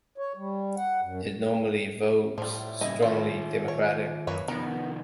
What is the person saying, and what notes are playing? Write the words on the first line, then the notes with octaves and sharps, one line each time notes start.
It normally votes strongly Democratic.
C#5
G3
F#5
F#2
A2 F3 G3
G2 C#3 E4 D#5
D#3 C4 F4
C#5
F#2 A#3 B4 C#5
C3 D#3 F3 B3 A#4